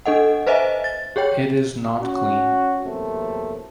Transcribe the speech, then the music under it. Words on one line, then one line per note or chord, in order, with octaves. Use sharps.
It is not clean.
D4 A4 D#5 F#5
B4 C5 D#5 E5 G#5
A6
G4 G#4 C#5 G5
C#4 F#4
E2 C3 F#3 A3 A#3 C4